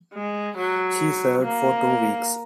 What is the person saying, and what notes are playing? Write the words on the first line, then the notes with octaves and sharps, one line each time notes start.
She served for two weeks.
G#3
F#3
A#3